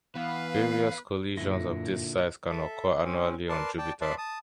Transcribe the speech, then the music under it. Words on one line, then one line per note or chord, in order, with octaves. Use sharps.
Various collisions of this size can occur annually on Jupiter.
E3 B3 B4 F5
F#2 A#2 D3 E4 A#6
A4 E5
C4 C#4
A#4 B4 D5 A5 C6
D5 G5 A5
B4 D5 E5 A5 B5 C6
A5 D#6